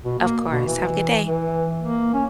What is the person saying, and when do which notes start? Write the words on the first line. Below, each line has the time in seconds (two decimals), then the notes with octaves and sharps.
Of course. Have a good day.
0.05 B2
0.19 A#3
0.51 B2
0.66 E3
1.27 E3
1.81 A#3
2.14 C#4